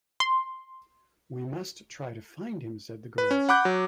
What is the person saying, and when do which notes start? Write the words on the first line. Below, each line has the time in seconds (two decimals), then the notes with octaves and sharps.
"We must try to find him," said the girl.
0.20 C6
3.18 B4
3.31 C#4
3.49 F#5 B5 D6 F#6 G6
3.65 F#3